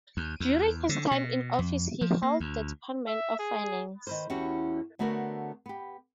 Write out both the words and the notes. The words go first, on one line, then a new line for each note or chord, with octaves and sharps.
During his time in office he held the Department of Finance.
D#2
E2
D3
B2
F2
F3
A#3
D2
E5
G#4
D#3 B4 C5
E2 C#4 E4 F#4 G4
D3 A3 B3 F#4 A#4 C#5
B3 G4